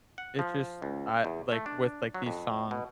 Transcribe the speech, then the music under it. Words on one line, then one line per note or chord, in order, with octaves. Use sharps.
It just I like, with, like, these songs,
F#5
F3
C#2
E2
A3
D4
F#3
F2
B2